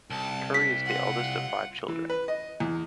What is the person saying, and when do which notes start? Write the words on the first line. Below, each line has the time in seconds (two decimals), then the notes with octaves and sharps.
Curry is the eldest of five children.
0.10 C2 A5
0.54 B6
0.86 F4 F#5
1.88 E3
2.10 B4
2.28 D#5
2.60 E2